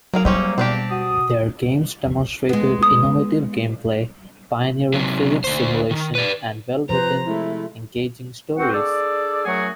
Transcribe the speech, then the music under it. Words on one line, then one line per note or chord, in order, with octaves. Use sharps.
Their games demonstrated innovative gameplay, pioneering physics simulation, and well-written, engaging stories.
F#3 A#3 G#4 A#4
E2 G3 A#3 C4 C#4 D#4
B2 C4 D4 G4
F#4 D#6
G#3 B3
D#6
C3 F#3
D2 C5
D#3
B4 D5
C3 F3 B4 C5 A#5
G#3 A3 E4
B3 C4 F#4 C5 F#5
D4 G#4 A4 D5
F#2 F#3 A3 F#4 G#4 F#5